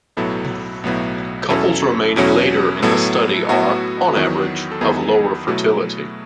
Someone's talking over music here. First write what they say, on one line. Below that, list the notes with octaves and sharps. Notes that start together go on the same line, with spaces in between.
Couples remaining later in the study are, on average, of lower fertility.
B1 A2 F#3 B3 E4 A4
B1 A2 F#3 B3 E4
E2 B2 F#3 C#4 E4 A4
E2 B2 F#3 C#4 E4
A2 F#3 B3 E4 A4
A2 F#3 B3 E4 F#4
E2 D#3 F#3 B3 E4
A4
E2 D#3 F#3 B3 E4 G#4
B2 F#3 A3 E4